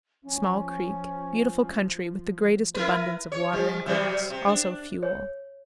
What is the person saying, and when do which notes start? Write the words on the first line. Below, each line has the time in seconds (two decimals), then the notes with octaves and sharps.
Small Creek.--Beautiful country, with the greatest abundance of water and grass; also fuel.
0.23 F3 C#4
2.74 E4 A#4 B4
3.32 C#5
3.52 F3 G3
3.86 C3 F#3 G3
4.30 C3
4.47 D4
5.03 C#5